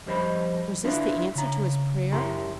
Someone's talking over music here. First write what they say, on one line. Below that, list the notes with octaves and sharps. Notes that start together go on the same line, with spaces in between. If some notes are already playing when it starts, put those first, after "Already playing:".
Was this the answer to his prayer?
F2 G3 C5 D#5 B5
D4 E4 F4 B4 D5
C#3 A#5
F#2 E4 G4 A#5 C6